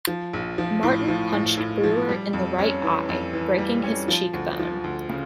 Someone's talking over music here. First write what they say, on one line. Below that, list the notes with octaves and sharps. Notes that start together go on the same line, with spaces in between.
Martin punched Brewer in the right eye, breaking his cheekbone.
F3
A#1
F3
A2
F3
A2
A2
F3
G3
F2
C#4
E3
F2
E3
G3
C#4
F3
D2
F3
D2
C#3